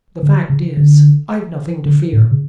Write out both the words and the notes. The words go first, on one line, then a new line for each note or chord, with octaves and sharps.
The fact is, I've nothing to fear.
D3
C#3
D3
D3
A2
A#2
C#3